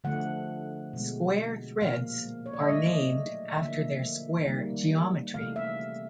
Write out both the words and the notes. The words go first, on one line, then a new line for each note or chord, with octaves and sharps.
Square threads are named after their square geometry.
D3 F3 A3 F#5
B2 G#3
A#2 F3 A#3 F5
C#5
D5
D#5
D#3 F#3 A3 E5
D3 F3 A#3 E5
D#3 G3 A#3
C3 E3 A3 F5
E5